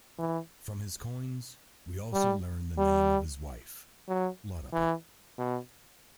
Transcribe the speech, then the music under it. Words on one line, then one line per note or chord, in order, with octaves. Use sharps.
From his coins we also learn the name of his wife, Iotapa.
E3
G3
G3
F#3
E3
B2